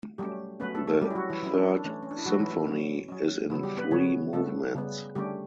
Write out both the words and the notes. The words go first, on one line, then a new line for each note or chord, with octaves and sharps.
The Third Symphony is in three movements.
F#3 G3 A3 C#4 G4
F#3 A3 B3 C#4 B4
A3 A4
A3 A4
F#3 G3 C#4 G4
E4
F#3 F#4
E3 E4
F#3 C#4 E4
D4
C#4
D4
E3 A3 C#4
C#4
D4
E4
E3 F#3 A3 C#4 F#4
E3 E4
F#3 C#4
F#3 C#4
C#3 E3 F#3 B3 E4
G3 G4
B3 B4
C#3 F#3 B3 C#4 C#5
C#3 G3 A3 B3 A4
C#3 G3 B3
D3 G3 A3 C#4 G4